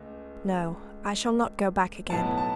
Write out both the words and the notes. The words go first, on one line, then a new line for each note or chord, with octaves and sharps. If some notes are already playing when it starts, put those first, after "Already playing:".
"No; I shall not go back again."
Already playing: C#2 A3
B1 A2 F#3 B3 E4 A5
A5